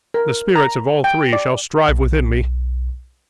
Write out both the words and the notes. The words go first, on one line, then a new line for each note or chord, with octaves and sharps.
'The Spirits of all Three shall strive within me.
A#4
A#5
G5
D5
B1